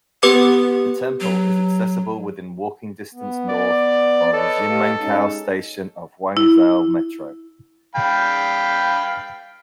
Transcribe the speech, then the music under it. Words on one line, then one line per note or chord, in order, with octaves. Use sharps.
The temple is accessible within walking distance north of Ximenkou Station of Guangzhou Metro.
B3 G4 B4 D6
F#3
B3
D5
A4 B4 C#5 D#5
G4 D#5 F5
G#3 C#4 D#4
E4
F5 G5 B5